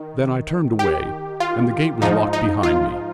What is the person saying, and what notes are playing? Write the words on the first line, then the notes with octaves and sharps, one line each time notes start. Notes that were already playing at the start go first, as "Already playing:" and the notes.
Then I turned away, and the gate was locked behind me.
Already playing: D#3
G4
F4
G#2 F3 D#4
D#4
F4